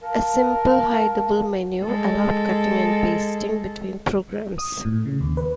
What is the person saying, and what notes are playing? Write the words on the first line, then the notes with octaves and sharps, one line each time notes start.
A simple hideable menu allowed cutting and pasting between programs.
A#4 F5 A5
G#3 A4
D#6
A2
C#3
D#2
B4